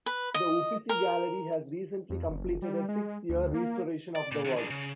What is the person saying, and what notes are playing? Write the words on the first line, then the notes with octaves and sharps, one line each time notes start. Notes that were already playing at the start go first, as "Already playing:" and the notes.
The Uffizi Gallery has recently completed a six year restoration of the work.
B4
D#5
A#4
F2
F#1
G3
G#3
D2
A#3
D5
A#2
D3 D#3
D4 G#4
C#3